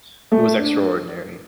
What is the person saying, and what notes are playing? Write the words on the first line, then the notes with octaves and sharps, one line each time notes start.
It was extraordinary.
A3
D4